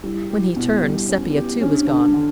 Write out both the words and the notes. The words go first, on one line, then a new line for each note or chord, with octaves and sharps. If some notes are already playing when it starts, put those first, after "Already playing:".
When he turned, Sepia too was gone.
G3 E4
G4
B2
G3
C#4
G4
C#4 D4
D3 D4
D3